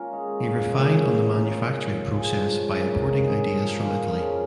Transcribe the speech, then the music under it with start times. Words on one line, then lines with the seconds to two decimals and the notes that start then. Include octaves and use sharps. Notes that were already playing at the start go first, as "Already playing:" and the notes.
He refined on the manufacturing process by importing ideas from Italy.
Already playing: A#3 C#4 F4 A#4
0.12 G#3 D#4 C#5
0.40 G#2 D#3 C#4 F4
0.69 A#2 G#3 D#4 C#5
0.97 G#3 D#4 G#4
1.25 D#3 A#3 F4 G#4
1.54 G#3 D#4 C#5
1.82 A#3 F4 A#4 C#5
2.10 F3 G#3 C#4 G#4
2.39 G#2 F3 C#4 A#4
2.67 D#3 G#3 F4 C#5
2.95 D#3 G#3 F4
3.23 G#3 D#4 G#4
3.52 F3 C#4 A#4
3.80 D#3 A#3 F4 G#4
4.08 C#3 F3 C#4 F4